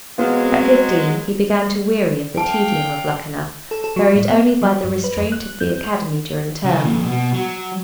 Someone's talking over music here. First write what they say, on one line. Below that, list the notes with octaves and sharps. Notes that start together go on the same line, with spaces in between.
At fifteen he began to weary of the tedium of Luckenough, varied only by the restraint of the academy during term.
F#3 G#3 B3 C4 F4
F5 G5 A5 D6
A4
A4
F#3
A2
B3
F#3
G2
B4
F2
F#6
G6
C#3
F2 A#2
B2
F#3